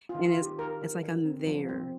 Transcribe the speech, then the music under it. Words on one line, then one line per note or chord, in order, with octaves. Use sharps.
and it's it's like I'm there
F4
D#3
F4
D#3
G4
D#3 A#4
D#3
D#3
C4
F3
C4